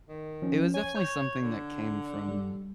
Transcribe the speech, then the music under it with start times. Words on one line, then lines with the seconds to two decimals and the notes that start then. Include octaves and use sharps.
it was definitely something that came from
0.09 D#3
0.42 F3 C#4
0.74 C#5 G#5
0.96 C#5 G6 G#6
1.42 D3
2.29 G3